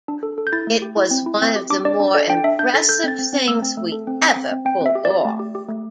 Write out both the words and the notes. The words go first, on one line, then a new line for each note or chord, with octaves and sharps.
It was one of the more impressive things we ever pulled off.
D4
A4
A4
G6
E4 A6
A3
G4
E4
C4
E4
C4
G4
D4 D6
D4 D5
D4
A4 D5
D4 G5
D4 E5
D4 G6
A4 A6
A4 G6
C4 A6
C4
C4
A3 E6
C4
A3
A4
C4
C4
C4
C4
C4 G5
C4 E5
G4
D5
G4
A3
G4
G4
A3